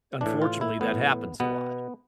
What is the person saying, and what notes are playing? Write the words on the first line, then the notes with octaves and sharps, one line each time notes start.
unfortunately, that happens a lot,
A2 E3 D4
F4
E4
A2 E3 B3
B2 B3